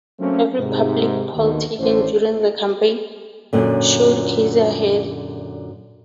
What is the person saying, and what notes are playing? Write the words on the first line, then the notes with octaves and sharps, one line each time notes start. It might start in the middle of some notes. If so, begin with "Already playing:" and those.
Every public poll taken during the campaign showed Casey ahead.
F#3 A3 A#3 C4 C#4
G#2 C3
D#2 B2 D3 D#3
A1 A2 D3 C#4 C5
F#2 A#2 D3